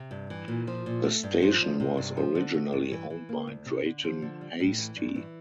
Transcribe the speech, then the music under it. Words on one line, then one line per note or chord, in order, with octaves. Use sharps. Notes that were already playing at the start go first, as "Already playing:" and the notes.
The station was originally owned by Drayton Hastie.
Already playing: C3
G2
E3
A#2
F3
A#2
A3
G2
F3
E2
C3
G2
F3
D3
A3
G2
E3
E3
A#3
D2
C3
D3
F3
D3
G3
A2
E3
G2
E3